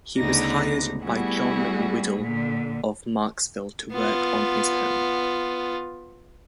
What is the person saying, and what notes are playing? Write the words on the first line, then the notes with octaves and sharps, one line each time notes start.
He was hired by John Waddill of Marksville to work on his home.
D2 C#3 B3 D4 D#4 A#6
G3 A3 B3 E4 F#4 G#4
A#2 D3
B3 F4